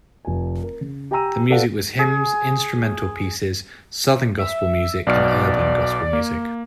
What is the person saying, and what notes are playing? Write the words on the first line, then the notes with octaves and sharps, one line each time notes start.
The music was hymns, instrumental pieces, southern gospel music, and urban gospel music.
F1 G#5
A#4
C#3
G4 G5 G#5 A#5 E6 D#7
G4 A4 B4 D5 F5 F#5
G#4
E5
B1 B2 D5 F6
A#3